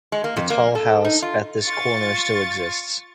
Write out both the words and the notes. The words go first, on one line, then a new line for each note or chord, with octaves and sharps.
The toll house at this corner still exists.
G#3
A#3
F2
A#3
A4
D#4
F4
F4 C#6 A6